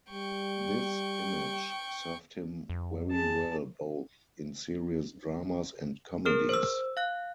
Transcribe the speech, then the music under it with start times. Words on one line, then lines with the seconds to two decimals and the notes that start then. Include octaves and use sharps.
This image served him very well both in serious dramas and comedies.
0.10 G3 G5 C#6
2.70 F2
3.11 G#4 A5
6.26 G#4 A#4 F6
6.49 C5 E6
6.97 F5 F#6